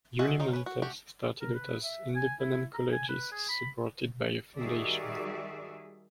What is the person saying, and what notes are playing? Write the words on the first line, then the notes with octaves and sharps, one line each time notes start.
Unimontes started out as independent colleges, supported by a foundation.
F4 F#4 G#4 D#5 E5
D#3 F#3 D#4 F4
C#4 B4
F#4
A3 F#4 G4
A#4
B4
E5
G#5
E4
A#5
G#5
B4
G#4
B5
D#3 G3 F#4 G#4 D5 E5